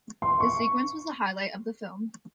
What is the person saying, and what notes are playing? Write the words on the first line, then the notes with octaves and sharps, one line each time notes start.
The sequence was the highlight of the film.
C6
C#6